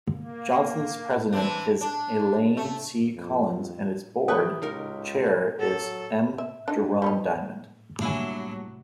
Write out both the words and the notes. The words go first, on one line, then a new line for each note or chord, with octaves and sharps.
Johnson's president is Elaine C. Collins and its board chair is M. Jerome Diamond.
A#3
E3 C4 D4
D4
A3
F2
E3 G4 B4 G5 C#6 D#6 F#6
C#2 C#3 D#4 A#4
F#3 A4
E5
D4 D#4
F3 B3 D#4
C2 A2 C3 F#3 A#3 D4 E4 G#5